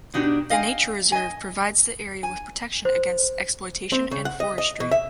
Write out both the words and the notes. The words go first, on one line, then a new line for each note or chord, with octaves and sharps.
The nature reserve provides the area with protection against exploitation and forestry.
B2 D4 D#4 F#4 G4
D#5 F5 G5 G#5
D#5 G#5
G#5
C5
C4
C#3
F#5
D#5
D#5
B2
E5